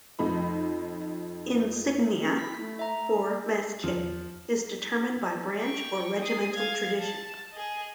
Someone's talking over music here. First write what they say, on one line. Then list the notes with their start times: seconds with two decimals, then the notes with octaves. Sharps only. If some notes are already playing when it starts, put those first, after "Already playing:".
Insignia for mess kit is determined by branch or regimental tradition.
0.19 F2 D#4 B5
2.23 C#4
2.39 E4 B6
2.60 A3
2.79 E5 A#5
3.09 G#4
3.84 E2 F3
5.60 G5 C#6
6.22 D#6 C7
6.53 F5 G#6
7.00 A5
7.53 G#4 D#5